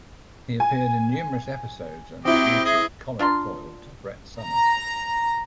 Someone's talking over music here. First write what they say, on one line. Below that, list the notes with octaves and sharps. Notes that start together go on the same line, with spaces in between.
He appeared in numerous episodes and was usually comic foil to Brett Somers.
G#5
F#3 C4 E4 G4 D#5
G#4 D#5
D4 F4 A#5 C6
A#5